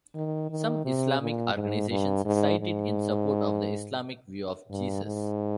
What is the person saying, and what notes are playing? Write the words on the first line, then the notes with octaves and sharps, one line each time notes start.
Some Islamic organizations cite it in support of the Islamic view of Jesus.
D#3
D#3
C3
A#2
G#2
G2
G#2
G#2
G2
G#2